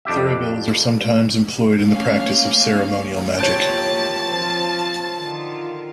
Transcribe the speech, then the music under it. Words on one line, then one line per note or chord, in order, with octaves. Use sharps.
Thuribles are sometimes employed in the practice of ceremonial magic.
F2 D4 G4 E5
A3 A#3 C#4 F5
A#3 F4 G4 C#5 A5 G6 D7
F3 C4 F4
D3 D#3 F4